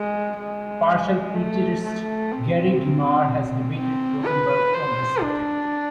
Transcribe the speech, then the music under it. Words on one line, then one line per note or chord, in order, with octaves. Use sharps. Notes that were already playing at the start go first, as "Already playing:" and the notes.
Partial preterist Gary DeMar has debated Rosenberg on this subject.
Already playing: G#3
G#3
A3
A3
C4
C4
B4
C5
D4